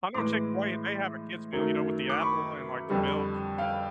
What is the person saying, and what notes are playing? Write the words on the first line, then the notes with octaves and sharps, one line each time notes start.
I know Chick-fil-A, if they have a kids meal, you know, with the apple, and, like, the milk
A2 E3 G#3 C6 D6
F#2 D#3 F#3 A3
D6
B5 C#6
F2 D3 G3
F5 G5